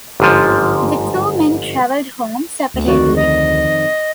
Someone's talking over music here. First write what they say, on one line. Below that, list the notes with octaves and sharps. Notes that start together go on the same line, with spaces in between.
The two men traveled home separately.
G1 G#2 F3
D2
F2 D#3 F#4 D5
D#5